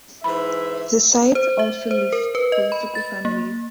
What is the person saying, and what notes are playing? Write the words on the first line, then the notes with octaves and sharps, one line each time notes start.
The site also lists political families.
G#2 E3 E5 B5
C5
E5
C5
A#4
B4
D#5
B5
A6
A#3